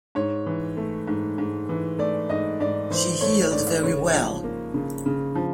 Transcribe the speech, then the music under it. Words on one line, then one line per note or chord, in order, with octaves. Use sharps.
She healed very well.
G#2 C#5
E3
A3
G#2
G#2
E3
A3 D5
G#2 D#5
G#2 D5
E3 C5
A3 C#5
G#2 D5
C#3 C#5
F3
A#3
C#3
C#3
F3